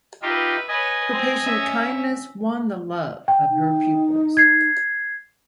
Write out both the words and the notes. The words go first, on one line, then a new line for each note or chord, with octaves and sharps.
Her patient kindness won the love of her pupils.
D#4 F4 G4 B4 E5
B4 C#5 D#5 G#5
C4
C#4 E5
G5
D#4
G#6 C7